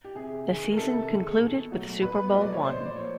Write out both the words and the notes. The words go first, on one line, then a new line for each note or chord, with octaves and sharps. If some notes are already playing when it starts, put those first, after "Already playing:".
The season concluded with Super Bowl One.
G4
C3 G#4
D#3 G#3
A#4
C3 A4
D#3 G#3
B2
F#3 A3
B2 B4
F#3 A3 D#5
D5
C#5
A#2 C5
D5
F3 A#3 C#5